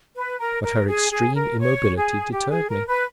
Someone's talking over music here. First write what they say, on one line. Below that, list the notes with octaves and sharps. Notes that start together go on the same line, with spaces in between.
But her extreme immobility deterred me.
B4
A#4
A#4
G#4
G#4
A#4
C#5
G#4
G4
G#4
A#4
B4